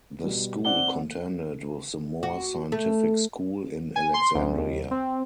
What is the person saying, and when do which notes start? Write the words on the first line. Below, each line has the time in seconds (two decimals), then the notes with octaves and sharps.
The school contended with the more scientific school in Alexandria.
0.24 B2 G3
0.65 C4 D5 F#5 G7
2.23 F#4
2.72 A3
3.96 G#5
4.14 C6
4.35 D2
4.58 D#2
4.91 C4